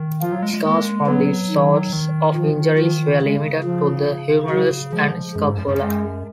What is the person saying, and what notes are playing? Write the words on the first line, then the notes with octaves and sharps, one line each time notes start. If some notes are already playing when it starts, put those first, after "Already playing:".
Scars from these sorts of injuries were limited to the humerus and scapula.
Already playing: D#3
F3 F4
F#3
G#3
G#3
G#3 A#3
F#3 B3
D#3
D#3
F3
F3
C#3 G#3
F3
F#3
F3 G#3
F#2 G#3
G#2
F#2
F#2
G#3